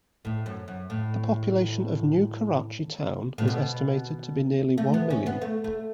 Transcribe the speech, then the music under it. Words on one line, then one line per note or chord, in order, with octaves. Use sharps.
The population of New Karachi Town is estimated to be nearly one million.
A2
F#2
F#2
A2
A2
B2
A3
B3
C#4
B3
A3
A3